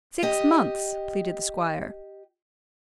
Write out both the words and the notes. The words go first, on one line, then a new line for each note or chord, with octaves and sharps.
"Six months," pleaded the squire.
G4 D#5